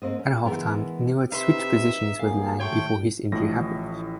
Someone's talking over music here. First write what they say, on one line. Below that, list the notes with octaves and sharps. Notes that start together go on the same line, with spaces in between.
At halftime Neal had switched positions with Lang before his injury happened.
G#2 A#3 C4 D#5
C#4
E3 G#3 B3 A#4
C3 D#4 B4 E5 C6
F#2 A#3 G#4 F5
A3 C#5 G5 C6 C#6
A1 A2 F3 A#6